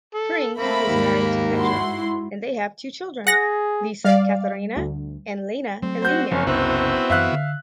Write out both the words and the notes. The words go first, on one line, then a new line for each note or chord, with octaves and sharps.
Frings is married to Petra and they have two children, Lisa-Katharina and Lena Alina.
A4
A3 A#3 C4 E5 B5
D#2 G#2
E4 F#4 C6
G#4 F#5 A#6
G3 D5 F5
D2
F#3 A3 C4
F#4 C5 G6
F#1 F3 C#4
C2 C#3 B3 C4 D4 E4 F#4
F#2 E3 E5 F5 F#6
D3